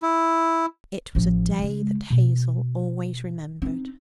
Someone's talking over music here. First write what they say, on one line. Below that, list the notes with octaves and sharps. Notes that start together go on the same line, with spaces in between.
It was a day that Hazel always remembered.
E4
A1 F3
C#3 G#3
B2
C4 D#4